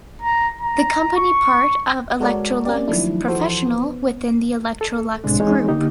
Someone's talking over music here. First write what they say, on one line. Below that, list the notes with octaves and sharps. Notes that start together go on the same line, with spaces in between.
The company part of Electrolux Professional within the Electrolux Group.
A#5
A#5
C#6
G#3 F#4 A4 A#4 C#5 D5
A#3 C4 C#4 G4 D5
D#3 F3 F#3 A3 D4 E4
E3 F3 F#4 A4 C5
B3
A4
C2 A2 C3 G#3 D4
E3 G#3 C4 D#4 G#4 C#5
D3 A#3 D#4 G4